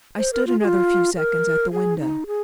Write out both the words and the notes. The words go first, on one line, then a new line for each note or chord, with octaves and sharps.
I stood another few seconds at the window.
C5
A#4
F4
G#4
F4
A#4
G#4
D#4
G#4